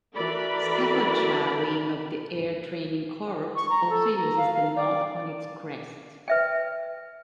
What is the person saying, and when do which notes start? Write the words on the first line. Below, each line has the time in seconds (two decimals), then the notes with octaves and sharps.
Staffordshire wing of the Air Training Corps also uses the knot on it's crest.
0.15 E3 F#4 A4 A#4 D5 B5
3.56 C#6
3.70 A#5
3.90 A4
4.16 A#5
4.37 F5
4.54 F5
4.76 D5
6.28 B4 E5 G5